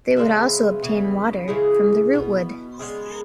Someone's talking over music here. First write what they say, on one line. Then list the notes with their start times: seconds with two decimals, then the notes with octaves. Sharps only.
They would also obtain water from the rootwood.
0.17 C#3 G#3 B3 B4 E5
0.82 C#3 E3 B3
1.48 C#3 E3 G#3 E4 G#4
2.13 B2 B3
2.79 C#3 G#3 B3 E4 G#4